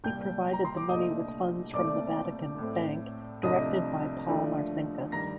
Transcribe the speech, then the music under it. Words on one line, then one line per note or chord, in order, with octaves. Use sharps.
He provided the money with funds from the Vatican Bank directed by Paul Marcinkus.
C2 A#2 G3 G5 G6
A#5
C6
D6
C2 A#2 A3 D4 D#5 D#6
C2 A#2 A3 C4 D5 D6
A2 A3 C4
C2 C3 F3 A3 D4 D#5 D#6
D#2 D3 F3 A3 D4
G2 D#3 G3 A#5 A#6